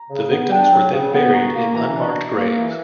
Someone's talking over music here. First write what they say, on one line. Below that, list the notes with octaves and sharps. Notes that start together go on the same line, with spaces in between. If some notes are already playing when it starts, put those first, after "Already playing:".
The victims were then buried in unmarked graves.
Already playing: A#5
C#3
B3
D4 G5
F#3
C#3
B3
F#4 A#5
A#3
E3 A#5
D4
F#4
A#3
E3